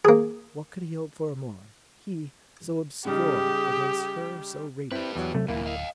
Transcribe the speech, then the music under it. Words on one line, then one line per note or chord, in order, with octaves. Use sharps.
What could he hope for more--he so obscure against her so radiant?
A#3 G#4
C#3 G3 D#4 G4 G#4
C4 E4 G4 B4
E2 F#3
C3 F#3 A3 C4
D1 E2 A#2 A#3 E4
D#5 F5